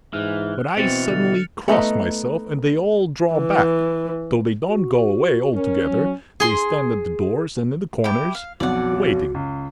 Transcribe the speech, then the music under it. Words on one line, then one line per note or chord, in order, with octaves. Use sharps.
But I suddenly cross myself and they all draw back, though they don't go away altogether, they stand at the doors and in the corners, waiting.
G#2 E3 F6 F#6
B2 E3 C4 A6 C#7 F7
D3
A3 B3 D#4 D#5
E3
F#4
C#4 A#4
F#3
G#4 C6
E4 G4
F5
B1 F2 B2 F#4 D5 F#5
C#2